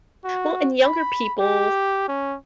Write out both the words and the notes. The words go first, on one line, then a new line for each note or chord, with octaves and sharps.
Well, and younger people,
F#4
B5
G4
C#4